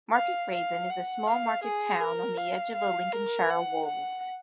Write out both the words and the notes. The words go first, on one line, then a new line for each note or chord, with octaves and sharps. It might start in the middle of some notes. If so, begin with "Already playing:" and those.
Market Rasen is a small market town on the edge of the Lincolnshire Wolds.
F5
F5
F#5
F5
G#4
A#4
F5
F5
A#4
F#5
F#5